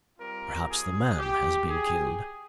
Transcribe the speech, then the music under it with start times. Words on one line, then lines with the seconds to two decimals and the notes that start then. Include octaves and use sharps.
Perhaps the man has been killed.
0.17 G3 C4 F4 A#4
0.68 G#4
1.18 G4
1.68 G#4